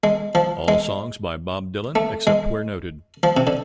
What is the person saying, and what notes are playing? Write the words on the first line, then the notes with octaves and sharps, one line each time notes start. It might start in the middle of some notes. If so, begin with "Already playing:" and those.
All songs by Bob Dylan, except where noted.
G#3
F3
G#3
A3
G#3
F3
C3
D3